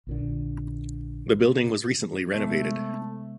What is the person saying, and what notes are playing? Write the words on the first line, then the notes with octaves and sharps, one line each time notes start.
The building was recently renovated.
A#1 A#2 D3
C3 G#3 A3 B3